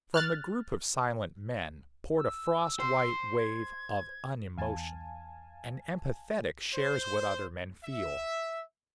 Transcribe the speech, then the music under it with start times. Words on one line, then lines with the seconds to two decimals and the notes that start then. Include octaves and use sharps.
From the group of silent men poured a frost-white wave of unemotion. An empathetic shares what other men feel.
0.14 F6 F#6 A6
2.17 E6
2.80 C5
3.38 G#6
4.57 E2 F5 G#5 A5
6.75 C5
7.84 E5